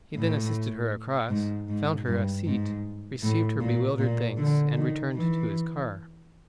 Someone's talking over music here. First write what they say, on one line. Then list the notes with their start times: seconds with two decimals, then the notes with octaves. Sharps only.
He then assisted her across, found her a seat, received her bewildered thanks, and returned to his car.
0.15 A2
1.29 G#2
1.68 G#2
2.07 G2
2.45 G#2
3.22 A2
3.60 A#2
3.99 A#2
4.37 D3
4.75 D#3
5.14 E3